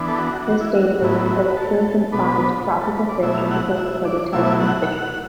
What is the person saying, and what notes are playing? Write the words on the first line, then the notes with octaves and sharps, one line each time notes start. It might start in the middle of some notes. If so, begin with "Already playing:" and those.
This database, initially confined to tropical fish, became the prototype for FishBase.
Already playing: E3 B3 D4
A4
F#4
F#4
E4
F#4
F#4
A2 F#3 B3 E4
E4
F#4
B4
A4
B2 F#3 B3 D4 B4
B4
A4
B4
D5
B2 F#3 A3 E4 E5
F#5
F#5
E5
D5
B2 F#3 A3 E4 E5
F#5